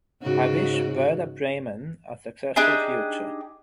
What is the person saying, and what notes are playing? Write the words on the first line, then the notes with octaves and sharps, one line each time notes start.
I wish Werder Bremen a successful future.
G#2 C#3 F#4
D4 D#4 G4 G#4